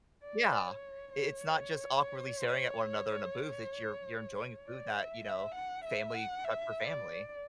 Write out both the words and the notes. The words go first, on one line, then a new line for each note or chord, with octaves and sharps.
Yeah, i it's not just awkwardly staring at one another in a booth, it's you're you're enjoying the food that, you know, family prep for family.
D5
C#5
C#5
D5
E5
E5
F#5
E5
F#5
E5
D5